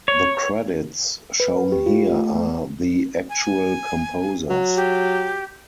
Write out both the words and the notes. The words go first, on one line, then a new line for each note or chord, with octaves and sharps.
The credits shown here are the actual composers.
C#5
B4
G4
F4
A3
G#5
F#3
G4